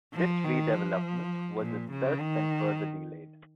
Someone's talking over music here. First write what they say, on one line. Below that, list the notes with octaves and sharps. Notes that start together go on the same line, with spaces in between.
This redevelopment was itself then further delayed.
F3
D#3
F3
A#2
C#3
D#3